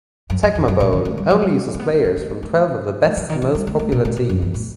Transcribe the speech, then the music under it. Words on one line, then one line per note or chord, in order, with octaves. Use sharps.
Tecmo Bowl only uses players from twelve of the best and most popular teams.
F#2
F#2
E2
F#2
A2
D#3
A3
G3
F#3
G3
A3
B3
A3
A3
A3
B3
A3
A3
G3
C3
D#3
E3
G3
A3
A3
B2
A2
B2
F#2
G2
A2